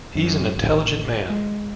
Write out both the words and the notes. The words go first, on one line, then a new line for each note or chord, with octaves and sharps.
He's an intelligent man.
F#2
A1
G#3